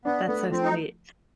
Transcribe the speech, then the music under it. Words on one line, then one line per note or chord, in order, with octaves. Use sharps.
That's so sweet.
B3 D4
A3 B3
F3 C4
D#4